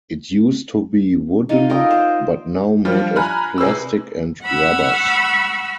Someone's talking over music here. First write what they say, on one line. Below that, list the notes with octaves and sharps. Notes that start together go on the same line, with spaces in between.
It used to be wooden but now made of plastic and rubbers.
D#4 F4
F4 A#4 G5 D#6 E6
C5
F3 G3 D4 F4
G#5 A#5 B5 F6 F#6
C3 G#4 B4 E6
F#5 B5 C#6 E6 F6